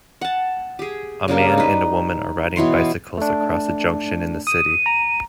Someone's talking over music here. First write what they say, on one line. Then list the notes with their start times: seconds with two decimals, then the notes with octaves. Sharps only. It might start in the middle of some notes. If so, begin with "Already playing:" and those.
A man and woman are riding bicycles across a junction in the city.
0.21 F#5 A5
0.79 G4 G#4
1.28 C#3 G3 A#3 D4
1.58 D#4 B4
2.56 B2 E3 C#5 C6
3.18 A3 D4
4.47 D#6 D#7
4.86 A#5